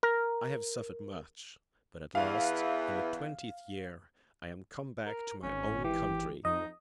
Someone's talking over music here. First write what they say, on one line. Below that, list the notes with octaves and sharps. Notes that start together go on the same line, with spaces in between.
I have suffered much, but at last, in the twentieth year, I am come back to my own country.
A#4
E2 E3 F5
A#4
G#1 C#4
E3 G4
F2 D#4 D#5